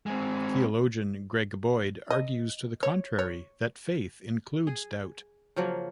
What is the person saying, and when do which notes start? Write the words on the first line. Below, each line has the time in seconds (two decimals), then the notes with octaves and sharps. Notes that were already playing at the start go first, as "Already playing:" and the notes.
Theologian Greg Boyd argues to the contrary, that faith includes doubt.
0.06 G#3 C4
2.10 D#5
2.83 C#5
3.19 C#5
4.67 G#4
5.56 C#3 F3 F#3 A#3